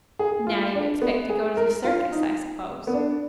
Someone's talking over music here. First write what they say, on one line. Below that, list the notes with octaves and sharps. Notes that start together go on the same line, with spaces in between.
"Now you expect to go to the circus, I suppose."
G#4
F4
D4
B3
G#4
A#4
F4
D#4
B3
D4